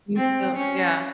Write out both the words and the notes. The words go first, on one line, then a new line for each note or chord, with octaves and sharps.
You still Yeah.
C4
C#4